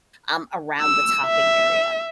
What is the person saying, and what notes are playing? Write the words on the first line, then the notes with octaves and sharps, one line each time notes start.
um, around the topic area.
E6
E5